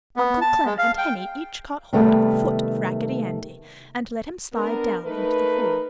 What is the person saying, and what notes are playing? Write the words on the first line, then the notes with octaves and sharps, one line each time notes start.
Uncle Clem and Henny each caught hold of a foot of Raggedy Andy and let him slide down into the hole.
B3
A5
G#3
F5
G5
C3 D#3 G3 A3 B3
B3 D4 A#4
A3 D#4 A#4 B4